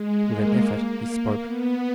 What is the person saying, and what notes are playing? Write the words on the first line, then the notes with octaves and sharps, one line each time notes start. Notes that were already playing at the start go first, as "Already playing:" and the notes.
With an effort he spoke.
Already playing: G#3
A#3
B3